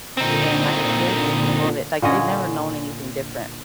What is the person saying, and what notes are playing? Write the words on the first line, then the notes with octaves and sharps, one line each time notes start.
and my kids love it. Like, they've never known anything different.
A#2 D3 C4 D#4
A#2 D3 C#4 D#5